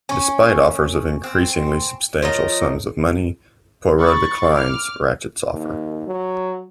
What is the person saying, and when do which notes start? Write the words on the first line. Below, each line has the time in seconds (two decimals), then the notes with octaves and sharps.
Despite offers of increasingly substantial sums of money, Poirot declines Ratchett's offer.
0.09 C#4 G#5 C#6
1.24 C4
2.22 F3 A#4 C#5 D#5
3.99 B5 C#6 A6
4.55 D6 F6
5.53 D#2
6.07 F#3